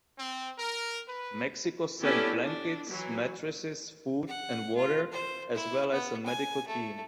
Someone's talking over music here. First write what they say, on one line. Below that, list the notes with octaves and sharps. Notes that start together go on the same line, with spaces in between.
Mexico sent blankets, mattresses, food, and water, as well as a medical team.
C4
A#4
B4
B3 C#4 D4 E4 G4 A4
D4
E3 F#3
F#5
F4
C5
E4
B3
G#5
A3